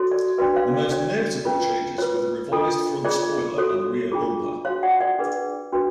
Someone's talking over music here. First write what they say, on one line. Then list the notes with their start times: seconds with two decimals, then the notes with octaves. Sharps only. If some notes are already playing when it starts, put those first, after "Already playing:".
The most notable changes were the revised front spoiler and rear bumper.
Already playing: F#4 A4 C#5
0.12 D5
0.38 D4 F#4 B4 D5
0.56 C#5 F5
0.74 D5
0.91 D4 F#4 C#5 D5
1.45 C#4 F4 B4
1.98 F4 B4 C#5
2.52 D4 F4 A4
3.05 F4 G#4 C#5 D5
3.58 F#4 A4 C#5
4.12 D4 F4 G#4
4.65 F#4 C#5 F5
4.83 D5 F#5
5.01 D5 F#5
5.19 D4 G#4 B4
5.72 D4 F#4 B4